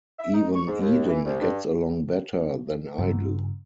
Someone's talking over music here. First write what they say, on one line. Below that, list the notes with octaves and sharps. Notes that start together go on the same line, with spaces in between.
Even Eden gets along better than I do.
E5
D#4
C#6
G#2
D#2
E3
C2
G2
G2 C#3